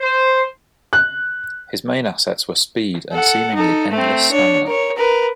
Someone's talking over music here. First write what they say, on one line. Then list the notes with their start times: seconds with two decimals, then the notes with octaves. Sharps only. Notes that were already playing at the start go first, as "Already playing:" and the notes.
His main assets were speed and seemingly endless stamina.
0.01 C5
0.93 F#6
3.12 A4 F#5
3.55 D#4 A4
3.91 A3 C4
4.32 D4 C#5
4.67 A#4 C#5
4.97 A#4 B4